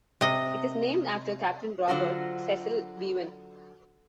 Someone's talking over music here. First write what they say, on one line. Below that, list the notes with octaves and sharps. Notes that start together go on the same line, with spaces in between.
It is named after Captain Robert Cecil Beavan.
C3 D#5
D3 F#3 F4 F#4 C5